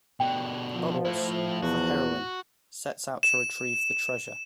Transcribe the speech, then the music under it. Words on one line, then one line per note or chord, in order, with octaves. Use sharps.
Bubbles, the heroine, sets out to retrieve the treasure.
B2 D3 G5
F3
A3 E4 C5
E2 F#4
E7